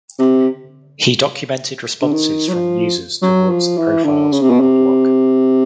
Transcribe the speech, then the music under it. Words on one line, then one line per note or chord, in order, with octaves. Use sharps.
He documented responses from users towards the profiles on the blog.
C3
D3
D#3
F#3
F3
F#3
F3
E3
D3
C#3
C3
B2
C3